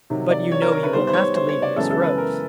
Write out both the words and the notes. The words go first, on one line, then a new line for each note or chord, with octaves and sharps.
"But you know you will have to leave Miss Rose."
C3 D#3 F#3
D5
C#5
A#4
A#4
B4
D#3 G3 B3 C5
C5
C#5
C5
C#5
D5
F#2 C#3 E3 G#3 B3 A4
A4
B4
A#4